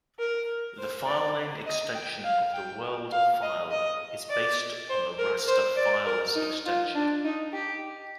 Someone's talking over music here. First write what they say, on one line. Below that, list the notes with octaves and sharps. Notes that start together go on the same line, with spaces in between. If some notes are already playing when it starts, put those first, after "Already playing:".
The filename extension of the world file is based on the raster file's extension.
A#4
C5
D5
D#5
G5
F5
G5
F5
D#5
D#5
D5
C5
A#4
C5
D5
A#4
D#4
F4
D4
D#4
G4